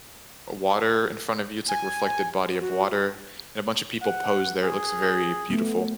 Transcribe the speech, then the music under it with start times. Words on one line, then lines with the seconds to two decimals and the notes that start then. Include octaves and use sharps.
water in front of you it's, like, reflected body of water, and a bunch a people pose there, it looks very beautiful.
1.69 G#5
2.61 F#4
4.02 F#5
4.62 G#4
5.50 A3 B3